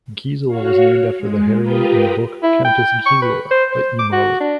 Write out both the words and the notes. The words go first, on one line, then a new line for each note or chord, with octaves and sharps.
Gisela was named after the heroine in the book "Countess Gisela" by E. Marlitt.
F#4 C#5 F5
G#3
F4 G4 A#4 B4 G5 D#6
E4
G5
C#6
B4
C5
C5
D6
F#4
D4